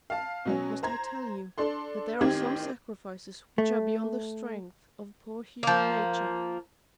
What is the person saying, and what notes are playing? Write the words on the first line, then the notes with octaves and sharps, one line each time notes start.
Must I tell you that there are some sacrifices which are beyond the strength of poor human nature?
F5 A5
B2 F#3 C#4
C5 A#5 G#6
D4 A4 C6
A1 D#3 C4 G4 G#6
A3
F3 A#3